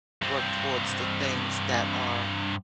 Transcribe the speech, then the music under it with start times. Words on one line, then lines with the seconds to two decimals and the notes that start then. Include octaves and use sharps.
work towards the things that are
0.22 G2 C4